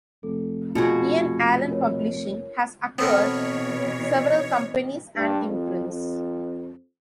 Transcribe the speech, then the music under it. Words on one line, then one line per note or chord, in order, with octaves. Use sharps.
Ian Allan Publishing has acquired several companies and imprints.
F1 A4
B2 F4 F#4 G#4 C#6 G#6 C#7
A#4 B4 C#5
B2 E3 B3 C4 A4 A#4 C#5
G2
F2
F2